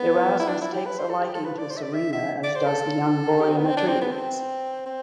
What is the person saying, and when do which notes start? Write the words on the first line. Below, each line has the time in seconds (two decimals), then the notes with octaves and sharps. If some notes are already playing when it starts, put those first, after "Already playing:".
Erasmus takes a liking to Serena, as does the young Vorian Atreides.
Already playing: B3
0.39 E4
0.48 D4
0.61 E4
0.73 G4
0.86 B4
0.98 C5
1.10 A4
1.22 G4
1.34 A4
1.45 B4
1.58 D5
1.70 C5
1.77 E5
1.82 D5
1.94 E5
2.12 E5
2.43 D5
2.56 C5
2.67 A4
3.40 G4
3.49 C4
3.57 B3
3.66 C4
3.77 D4
3.88 C4
4.01 B3
4.12 C4
4.86 C4